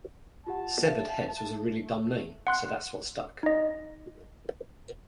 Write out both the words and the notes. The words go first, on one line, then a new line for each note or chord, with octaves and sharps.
Severed Heads was a really dumb name, so that's what stuck.
F4 G4 F#5 A5
E5 F5
A3
F#5 C6 F#6
D#4 D#5